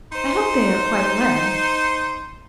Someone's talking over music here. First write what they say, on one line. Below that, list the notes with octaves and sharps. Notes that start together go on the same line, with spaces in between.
I hope they are quite well.
D#4 C5 C6